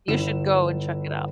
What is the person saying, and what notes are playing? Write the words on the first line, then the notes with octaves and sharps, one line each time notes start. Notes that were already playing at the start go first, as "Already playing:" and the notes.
You should go and check it out.
G1 E4 E7